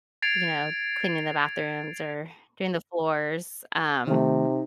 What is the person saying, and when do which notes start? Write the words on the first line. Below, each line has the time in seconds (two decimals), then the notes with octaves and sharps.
you know, cleaning the bathrooms or doing the floors, um,
0.22 G#6 A6 C7 D7 F7
4.07 C3 D#3 A3 D#4